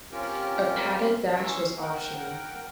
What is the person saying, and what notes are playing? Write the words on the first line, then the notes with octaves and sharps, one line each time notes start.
A padded dash was optional.
C4 C#4 F4 G4 A#4
E3 C#4 C6 C#6 E6
A#4 F#5 G5